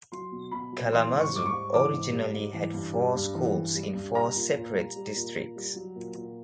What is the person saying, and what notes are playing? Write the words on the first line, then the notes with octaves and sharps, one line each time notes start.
Kalamazoo originally had four schools in four separate districts.
F#3 C6
B2
B2 B5
F#3
E3 C6
G#2
C#6
G3 D6
C#6
G#2
E3 D6
G#2
G3
G#2
E3
G2
G3
G2
E3
G2
G3
G2
G3 A#5
A#2
A#2
G3
G3
A#2
A#2
G3
F#3
A#2
A#2